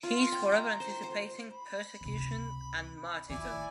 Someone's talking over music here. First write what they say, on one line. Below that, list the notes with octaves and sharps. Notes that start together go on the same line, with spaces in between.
He is forever anticipating persecution and martyrdom.
F4
G5
A#5
C5
C5
B5
C#2 C3
D#3 E4 D5 G#5